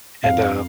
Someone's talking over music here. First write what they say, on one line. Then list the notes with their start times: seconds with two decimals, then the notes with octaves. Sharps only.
and, uh,
0.24 F2 F5